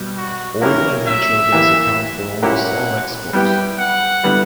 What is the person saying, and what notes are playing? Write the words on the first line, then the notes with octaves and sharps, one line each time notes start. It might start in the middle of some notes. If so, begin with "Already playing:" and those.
Oil and natural gas account for almost all exports.
Already playing: B2 G3
F#4
F#3 A#3 C#4 E4 G4 A#4
E5
E3 A#3 E4 G4
A#2 A#3 C#4 E4 G4 F#5
G3 B3 E4 G4 G5
F#5
D3 G3 B3 E4